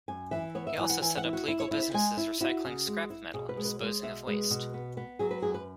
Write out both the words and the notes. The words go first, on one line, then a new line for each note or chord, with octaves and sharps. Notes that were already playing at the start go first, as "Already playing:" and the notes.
He also set up legal businesses recycling scrap metal and disposing of waste.
F#2 G#5
E3 E5
B3 C#5
E5
E3 G#5
F#5
E3 G#5
F#5
E4
F#4
E4
C#5
E4 E5
C#5
E5
G#3 G#5
E4
E4 F#4
C#3
G#3
E4
B2 G#4
B4
G#3
B4
G#3 C#5
B2 E5
G#3 B4
B2
B3
B3
F#3 G#4
B4
F#2 G#4
B4